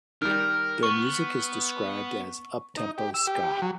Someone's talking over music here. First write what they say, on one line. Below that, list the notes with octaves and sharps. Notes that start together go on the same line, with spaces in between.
Their music is described as up-tempo ska.
D#3 G3 A#4 F6
B3 C#6
D#4
G4
E6
G4
F#3